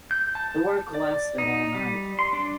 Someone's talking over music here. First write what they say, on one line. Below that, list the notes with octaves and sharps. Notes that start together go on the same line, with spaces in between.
The work lasted all night.
G6
A5
D5
D#4
G3
C6
D4